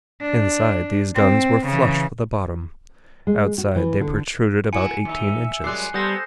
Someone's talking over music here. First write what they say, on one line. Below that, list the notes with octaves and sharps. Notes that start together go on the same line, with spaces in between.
Inside, these guns were flush with the bottom; outside, they protruded about eighteen inches.
D4
C4
C#3 E3
G#3
F#4
E3
D3
E4 F#4 G#5 C#7
D#2 D#4 E5
F#2 G3 G#3 F#6 C7
G3 B3 A4 C5 D#6 G6 A#6